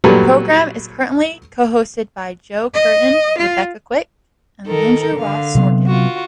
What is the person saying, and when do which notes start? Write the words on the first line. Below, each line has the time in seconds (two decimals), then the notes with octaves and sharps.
The program is currently co-hosted by Joe Kernen, Rebecca Quick, and Andrew Ross Sorkin.
0.04 A#2 F#3 G3 A4 B4
2.74 D#5
3.37 F4
4.67 D#3 A4 A#4
5.17 D3 F5
5.55 C3 F#3 B3
5.87 F4 F#4